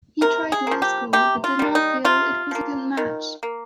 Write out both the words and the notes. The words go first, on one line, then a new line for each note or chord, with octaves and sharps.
He tried law school but did not feel it was a good match.
C3 A#4
G#4
F3 A#3
G4
C3 G4
F4
G3 A#3
D#4
C3 F4
F3 A#3
D#3
A#3